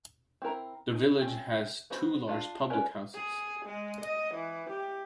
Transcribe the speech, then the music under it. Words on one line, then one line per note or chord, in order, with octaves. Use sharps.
The village has two large public houses.
C4 E4 A#4 A#5
D#4
C4 C#4
B3 F#4 C5 B5
D4 F4 F5
C#4 A#4 B4 C#5 D5
G#4
G#3
D#5
E3
G4